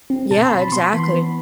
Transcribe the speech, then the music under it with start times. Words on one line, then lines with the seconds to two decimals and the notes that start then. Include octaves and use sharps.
Yeah, exactly.
0.10 C4
0.31 B2 A5
0.43 C6
0.51 B2 B5
0.72 B3 C6
0.86 B5
0.93 E3
0.99 C6
1.14 B3